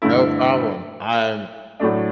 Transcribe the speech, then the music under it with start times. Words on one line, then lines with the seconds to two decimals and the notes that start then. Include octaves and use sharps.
No problem, I'm
0.02 G2 D3 A3 E4
1.80 A2 F#3 A3 D4